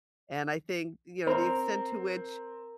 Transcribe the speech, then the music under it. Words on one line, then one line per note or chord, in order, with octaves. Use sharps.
and I think, you know, the extent to which
C4 A#4